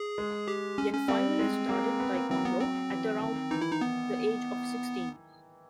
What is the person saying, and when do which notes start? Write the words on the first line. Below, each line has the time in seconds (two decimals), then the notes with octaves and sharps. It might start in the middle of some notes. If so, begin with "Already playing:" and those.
Yen finally started taekwondo at around the age of sixteen.
Already playing: G#4
0.18 G#3
0.48 G4
0.78 C#4
0.93 C#4
1.08 G3 C4
1.39 G#3
1.69 A#3
2.00 B3
2.15 A#3
2.30 F#3 C4
2.45 B3
2.60 C4
2.90 E3
3.21 D#3
3.51 E3 D#4
3.61 E4
3.71 D#4
3.81 B3